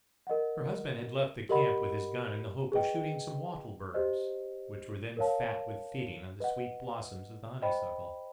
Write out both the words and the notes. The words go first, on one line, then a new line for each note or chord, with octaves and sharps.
Her husband had left the camp with his gun in the hope of shooting some wattle birds, which were then fat with feeding on the sweet blossoms of the honeysuckle.
A#4 D#5 F#5
G4 A#4 D#5 F#5 B5
G#4 B4 D#5 G5
G4 C5 D#5
A#4 C#5 F5 A5
B4 D#5 F#5
C5 D#5 G5 B5